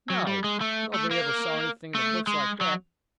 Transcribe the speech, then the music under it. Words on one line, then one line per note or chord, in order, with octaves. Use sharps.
No; nobody ever saw anything in the books like that.
F#3
G3
G#3
A3
A3
A#3
A3
G#3
F#3